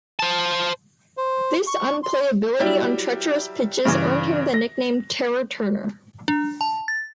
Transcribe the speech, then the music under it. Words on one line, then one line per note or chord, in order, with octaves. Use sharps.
This unplayability on treacherous pitches earned him the nickname "Terror" Turner.
C5 A5
C5
C#6
C6
F#3 G3 E4 G4
G2 C#3 E3
A#6
D4
A5
A6